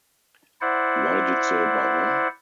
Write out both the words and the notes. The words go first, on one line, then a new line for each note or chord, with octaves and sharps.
Why did they bother?
E4 C5 D5 F#5